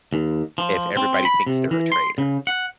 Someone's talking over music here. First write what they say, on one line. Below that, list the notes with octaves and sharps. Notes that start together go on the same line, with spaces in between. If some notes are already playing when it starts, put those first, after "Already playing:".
if everybody thinks they're a traitor.
D#2
F3
C4
B5
C3
E3
C6
C#3
F#5